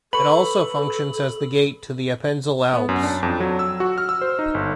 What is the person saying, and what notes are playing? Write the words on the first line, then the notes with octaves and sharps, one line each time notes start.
It also functions as the gate to the Appenzell Alps.
A4 B4 B5 C#6 F#7
B3
F#2
D4
F2
F#3
E6
F#4
F6
E6
C5
D#4
G1